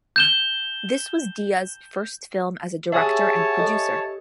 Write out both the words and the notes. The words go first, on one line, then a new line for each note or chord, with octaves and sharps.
This was Deeyah's first film as a director and producer.
G6 E7 G7
G4 G#4 C#5 E5 F#5 G#5 A5 D#6
G4 A4 D#5